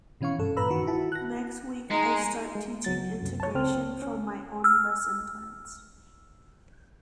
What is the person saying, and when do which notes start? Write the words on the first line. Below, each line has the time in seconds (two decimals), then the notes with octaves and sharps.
Next week I start teaching integration from my own lesson plans.
0.21 B2 E3 C#4 F5 C#6
0.39 G2 A4
0.57 G2 A#2 B4 A#5 B5 E6
0.70 D#3 F#4
0.87 E4 F#4 A5
1.12 F#6 A#6
1.91 G#3 D#4 A#5
2.55 G#3
2.84 C#2 F#3 A6
3.22 C2 F#2
3.40 C#5 A5
3.55 C#2 C4 F6
4.02 C#4
4.64 E6 F6